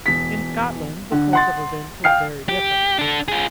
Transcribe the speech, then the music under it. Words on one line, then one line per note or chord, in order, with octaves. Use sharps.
In Scotland the course of events was very different.
E1 B6
D3
F#5 C6 A6
F5 G5 F6 C7
G4
D4 A4
F4 G#4